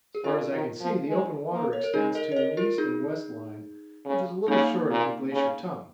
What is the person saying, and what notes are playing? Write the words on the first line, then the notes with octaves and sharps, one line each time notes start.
As far as I can see the open water extends to an east and west line which is a little short of the glacier tongue.
G#4
C#3 F4 A#4
D#3
F3
G#3
A#3
C#5
A#4
G#3 D#4 G#4
A#4 D#5
C#5
A#4 D#5
F4 A#4
D#4 G#4
C#3
C#3 A#3 D#4
A#2
C#3